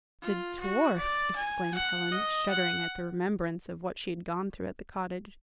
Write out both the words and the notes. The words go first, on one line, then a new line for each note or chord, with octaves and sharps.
"The dwarf!" exclaimed Helen, shuddering at the remembrance of what she had gone through at the cottage.
F4
F#4
D5
G#5
F#5
D#5
F#5